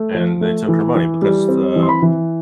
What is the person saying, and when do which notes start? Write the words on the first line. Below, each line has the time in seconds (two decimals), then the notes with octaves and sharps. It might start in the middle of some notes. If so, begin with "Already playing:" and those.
And they took her money because, uh,
Already playing: A3
0.15 F3
0.41 A3
0.68 E3
0.95 E3
1.22 G3
1.49 C4
1.76 E3
1.83 C6
1.89 B5
2.02 E3